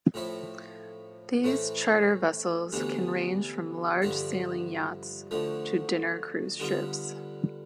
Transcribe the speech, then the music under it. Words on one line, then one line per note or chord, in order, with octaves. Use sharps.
These charter vessels can range from large sailing yachts to dinner cruise ships.
A2 F3 C4 E4 A4
A2 E3 A3 C4 E4
D2 C3 E3 B3 D4
G2 D3 F3 C4 E4
D2 D3 F3 A3
D3 G3 B3 F4